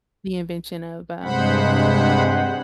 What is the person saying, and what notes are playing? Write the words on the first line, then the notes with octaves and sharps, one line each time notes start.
the invention of, um,
G2 C3 G#3 C5 F#5 B5